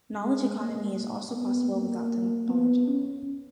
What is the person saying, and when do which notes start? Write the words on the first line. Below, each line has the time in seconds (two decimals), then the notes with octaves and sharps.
Knowledge economy is also possible without technology.
0.21 G#3
0.60 A#3
1.35 B3
1.73 A#3
2.49 B3
2.88 C#4